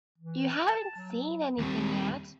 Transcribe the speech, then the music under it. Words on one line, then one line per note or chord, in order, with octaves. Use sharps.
You haven't seen anything yet.
E3
A5
F#3
D#2 G3 C4